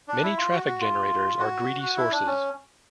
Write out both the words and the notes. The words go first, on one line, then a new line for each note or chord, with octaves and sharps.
Many traffic generators are greedy sources.
D4
E4
F4
F#4
F#4
F4
F#4
F#4
E4
D4
C#4